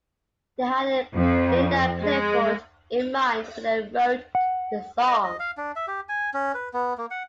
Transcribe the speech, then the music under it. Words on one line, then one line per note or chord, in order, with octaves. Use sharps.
They had Linda Clifford in mind when they wrote the song.
F2
G#3
F#5
D#5
D#5
F5
D4
E5
G4
G#5
C#4
B4
B3
A#3
F#5